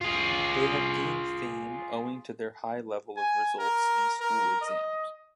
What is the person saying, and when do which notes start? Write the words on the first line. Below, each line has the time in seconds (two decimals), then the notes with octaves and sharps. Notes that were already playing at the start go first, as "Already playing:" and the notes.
They have gained fame owing to their high level of results in school exams.
0.01 F4 G#4
3.16 G#5
3.59 A#4
4.20 A#4
4.61 D#5